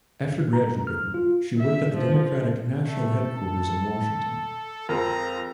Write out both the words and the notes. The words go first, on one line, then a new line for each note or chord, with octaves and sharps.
After graduating, she worked at the Democratic National Headquarters in Washington.
A#5
F6
F4
E5
F3
A3 A4
A5
F2 G#3 C4 F4 A#4 A#5